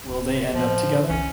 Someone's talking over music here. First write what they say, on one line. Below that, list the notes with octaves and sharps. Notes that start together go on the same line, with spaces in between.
Will they end up together?
D1 G#2
A2 D#3 F3
C2 D3 C#4